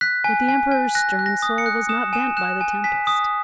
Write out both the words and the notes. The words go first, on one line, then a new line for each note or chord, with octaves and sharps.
But the Emperor's stern soul was not bent by the tempest.
F#6 B6
G#5
G#5
G#5
F#6 A#6
F#6
A#6
D#6
C#7
F#6
D#6 E7
G#5 E7
F#6 E7
G#5
G#5 B6
D#6